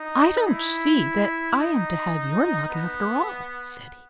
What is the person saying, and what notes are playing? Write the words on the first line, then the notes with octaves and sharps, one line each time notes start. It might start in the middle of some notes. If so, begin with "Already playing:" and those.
"I don't see that I am to have your luck after all," said he.
Already playing: D#4
E4
D#4
B3